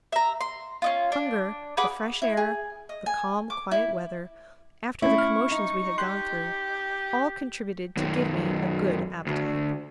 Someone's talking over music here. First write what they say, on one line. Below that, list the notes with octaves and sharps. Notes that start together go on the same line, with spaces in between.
Hunger, the fresh air, the calm quiet weather, after the commotions we had gone through, all contributed to give me a good appetite.
E5 A#5
C6
C#4 D#4 F4
D4
G#4 B4 F#5 D6
E4
G#4
D#5
G#5
D6
E4
A3 C#4 E4 C#6
F6
D#4
G4 C6 F#6 G6
F#2 D#3
D2